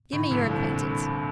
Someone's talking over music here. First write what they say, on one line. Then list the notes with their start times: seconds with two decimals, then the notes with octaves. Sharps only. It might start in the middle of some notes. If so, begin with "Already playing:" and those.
Give me your acquaintance.'
0.12 A2 D3
0.31 A#1 A#2
0.41 G3 D4 A4
0.49 C2 C3